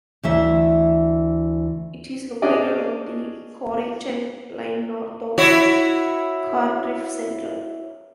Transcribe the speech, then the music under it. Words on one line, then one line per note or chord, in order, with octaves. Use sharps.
It is located on the Coryton Line north of Cardiff Central.
D2 E3 E5
C#4 D4 G#4 D5 D#5
E4 F#4 C#5